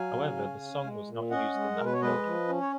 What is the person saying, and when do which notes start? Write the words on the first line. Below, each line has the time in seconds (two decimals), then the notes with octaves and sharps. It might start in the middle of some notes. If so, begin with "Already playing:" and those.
However, the song was not used in that film.
Already playing: F#3 F5 G#5
0.13 C#3
0.37 C#4
0.60 C#4
0.83 G#3
1.07 A#2
1.31 C#4 D#5 F#5
1.54 G#3
1.76 B2 A#4
1.85 B4
1.93 C#5
2.01 G#3 B4 D#5
2.25 F3
2.48 C#4
2.60 C#5